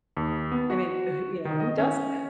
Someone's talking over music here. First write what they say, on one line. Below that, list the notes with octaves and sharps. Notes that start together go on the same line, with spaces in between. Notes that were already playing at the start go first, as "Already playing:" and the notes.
I mean, e wh you know, who does that?
D#2
B3
F#4
D#3
D#5
C#4